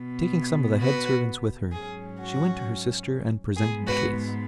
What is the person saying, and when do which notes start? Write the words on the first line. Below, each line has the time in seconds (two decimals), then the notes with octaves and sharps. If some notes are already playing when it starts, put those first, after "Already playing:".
Taking some of the head servants with her, she went to her sister and presented the case.
Already playing: B2 B3
0.81 F#4 B4
1.73 G#2 F#3 C#4 G#4
2.20 F#4
3.56 G#2 G#3 B3 G#4
3.87 F#4 B4